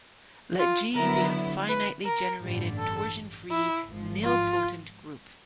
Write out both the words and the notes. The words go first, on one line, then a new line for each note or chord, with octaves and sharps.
Let "G" be a finitely generated torsionfree nilpotent group.
F4
D3 F#3 B3 E4 A#4
B4
A#4
A1 G2 D3 G3
A4
E4
G#1 G#2 F3
F4